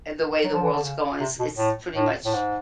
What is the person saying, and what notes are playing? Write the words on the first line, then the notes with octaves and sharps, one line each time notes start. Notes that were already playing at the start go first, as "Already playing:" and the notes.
eh, the way the world's going, it's it's pretty much
F#3
F3
E3
D3
C#3
C3
B2
A2
A2
A2
G#2